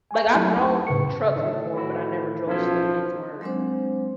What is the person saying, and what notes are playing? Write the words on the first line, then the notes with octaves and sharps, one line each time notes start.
like, I've drove trucks before, but, I never drove students or,
G#5 C#6
F#3 A3 D#4 E4 G4
A5 C#6
A2 C#3 B4 C#6 C#7
A2 D#3 D4
E4 F#4
B1 F3 C#4 E4 A4
F#3 G#3 C4 D4 C5